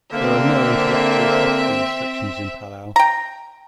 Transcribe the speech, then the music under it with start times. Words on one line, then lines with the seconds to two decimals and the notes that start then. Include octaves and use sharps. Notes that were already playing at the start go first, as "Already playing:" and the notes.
There are no intellectual property restrictions in Palau.
0.12 D3 A#3 C4 E5
2.96 G5 A#5